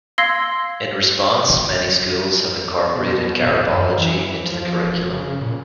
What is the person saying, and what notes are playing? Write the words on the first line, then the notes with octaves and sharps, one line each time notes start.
In response, many schools have incorporated garbology into the curriculum.
F5 C6 E6 G#6 A#6 C7
B2
D1
F#2
E3
F3
E1
C#3
A#2